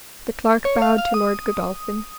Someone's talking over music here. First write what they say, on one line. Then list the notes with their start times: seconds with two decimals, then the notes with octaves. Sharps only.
The Clerk bowed to Lord Godolphin.
0.65 C#5
0.82 F5
0.98 F5
1.14 D#6